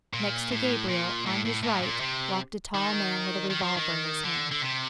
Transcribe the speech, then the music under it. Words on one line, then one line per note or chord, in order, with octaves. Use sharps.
Next to Gabriel, on his right, walked a tall man with a revolver in his hand.
A#2
A2
A#2
A2
A2
A2
A#2
C3
D#3
D#3
F3
D#3
D3
D3
C3